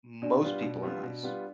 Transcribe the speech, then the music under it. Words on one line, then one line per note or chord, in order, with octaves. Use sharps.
most people are nice,
B2 D4 D5
G3 B3 F4
B2
G3 B3 F4
B2
G3 B3 F4